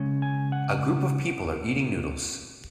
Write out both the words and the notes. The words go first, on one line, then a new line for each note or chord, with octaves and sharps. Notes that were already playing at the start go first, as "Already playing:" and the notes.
A group of people are eating noddles.
Already playing: C#3 G#3 C#4
G#5
F#5